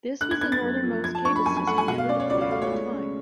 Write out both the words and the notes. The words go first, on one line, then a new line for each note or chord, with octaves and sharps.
This was the northern most cable system ever deployed at the time.
D3 F#6
G#6
B3 G#6
A6
F#2
F3
F3 G#6
A5
D4 C#6
B5
F#2 G#5
G#5
A3 F#5
G#5
B2 F#5
F5
C#4 D5
C#5
C#2 D5
F5
A3 F5
C#5
G#3
C#3